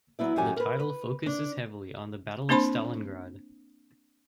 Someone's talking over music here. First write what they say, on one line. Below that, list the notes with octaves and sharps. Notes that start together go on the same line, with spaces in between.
The title focuses heavily on the Battle of Stalingrad.
F#3 B3 E4 D5
F#2 D#3 F#3 G4 G#5
A#4 B4
B4
D4
A#3 C4 D4 C5 B5 C6